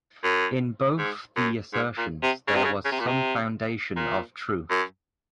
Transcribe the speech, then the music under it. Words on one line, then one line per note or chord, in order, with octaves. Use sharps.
In both the assertions there was some foundation of truth.
F#2
G#2
F#2
G#2
A#2
C3
C#3
C3
C#3
C#3
C3
A#2
C3
A#2
F#2